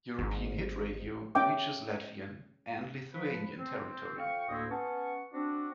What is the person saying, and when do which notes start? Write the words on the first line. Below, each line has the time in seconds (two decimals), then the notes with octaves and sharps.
European Hit Radio reaches Latvian and Lithuanian territory.
0.19 G#1
1.35 C#4 E5 G5 D6
3.14 F3 B4
3.59 C4
4.17 F2 F5 G5 C#6
4.49 D2 A2 A#3 C4 E4 D#5
4.70 B3 C#4 F#5 A5 C#6
5.33 C4 D4 F#4